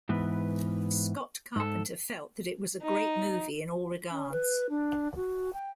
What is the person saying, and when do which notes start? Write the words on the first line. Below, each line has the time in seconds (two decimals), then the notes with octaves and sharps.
Scott Carpenter felt that it was a "great movie in all regards".
0.09 G#2 E3 B3 B4
1.56 G#2 A4
2.82 D#4
4.11 C#4
4.32 B4
4.69 D4
5.16 F#4
5.53 G5